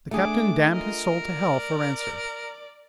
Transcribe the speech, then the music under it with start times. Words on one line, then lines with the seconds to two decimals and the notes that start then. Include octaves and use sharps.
The Captain damned his soul to hell for answer.
0.11 A3 D4 G#4 D6
0.71 F4 A#4 D#5
1.29 D5